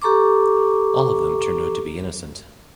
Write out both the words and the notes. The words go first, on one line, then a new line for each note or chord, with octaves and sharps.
All of them turned out to be innocent.
G4 A4 A#5 C#6 D6